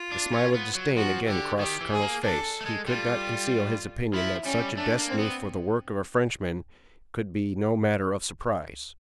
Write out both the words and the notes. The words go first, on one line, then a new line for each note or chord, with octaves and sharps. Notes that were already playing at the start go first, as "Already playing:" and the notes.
The smile of disdain again crossed the colonel's face; he could not conceal his opinion that such a destiny for the work of a Frenchman could be no matter of surprise.
Already playing: F4
D4
C#4
B3
F#3
F3 F#4
D3 G4
D#3 G4
E3
G#4
A#3
D4 A4
A3
G#3
G3 F4
F3 E4
G3 C#4
A3 D4
A#3
C4
B3